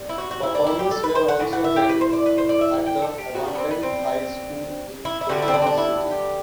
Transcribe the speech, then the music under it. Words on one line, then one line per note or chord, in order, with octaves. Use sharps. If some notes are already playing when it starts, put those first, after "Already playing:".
Performances were also held at an abandoned high school in Quezon City.
Already playing: C3 G3 B3
E4
F#4
F#4
E4
D4
E4
G4
A4
B4
C5
F#5
A2 E3
F#5
E5
G4
B4
C5
D5
B4
C5
D5
E5
F#5
G5
A4
G4
B2 G3 B3 F#4
D4
B3
C4
B3
C4
E4
E4
D3 G3 B3 F#4
E4
C4
D4
C4
D4
E4
G4